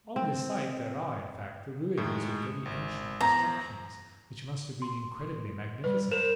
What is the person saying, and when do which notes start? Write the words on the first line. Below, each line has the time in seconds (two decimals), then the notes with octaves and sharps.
On this site there are, in fact, the ruins of very ancient constructions, which must have been incredibly magnificent.
0.16 C4
1.97 A2 D#3 G#3
2.65 G#1
3.21 E2 C5 A#5
4.82 C6
5.84 G3 B4
6.11 A#4 C5 E7 F7